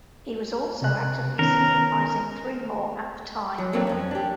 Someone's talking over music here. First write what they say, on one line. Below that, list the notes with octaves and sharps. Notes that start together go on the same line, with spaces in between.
He was also actively supervising three more at the time.
C3 F#6
D#3 B3 C#4 A#4
F#3
F#3 A3 A#3 C4 D4
F2 C#4
D4 G4